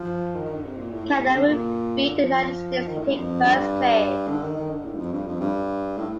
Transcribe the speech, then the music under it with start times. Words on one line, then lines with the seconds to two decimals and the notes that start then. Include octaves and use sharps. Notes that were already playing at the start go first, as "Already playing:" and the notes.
Canada would beat the United States to take first place.
Already playing: F3
0.35 D#3
0.45 D#3
0.54 D3
0.64 C3
0.77 A#2
0.91 A2
1.05 A2
1.20 C3
1.34 D3
1.48 A#2
2.04 D3
2.18 F3
2.88 D#3
2.98 A2
3.07 G2
3.16 F2
3.45 G2
4.28 D3
4.43 D#3
4.56 D#3
4.70 D3
4.85 A2
4.94 G2
4.98 F2
5.12 G2
5.27 F2
5.41 G2
5.98 A2